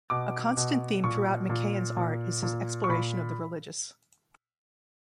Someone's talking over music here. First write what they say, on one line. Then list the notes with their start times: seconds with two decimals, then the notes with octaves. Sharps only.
A constant theme throughout McCahon's art is his exploration of the religious.
0.10 B2 D6
0.57 B2
1.04 A#2 C#6
1.49 A#2
1.97 A#2
2.43 A#2
2.84 C#6
2.89 A#2 B5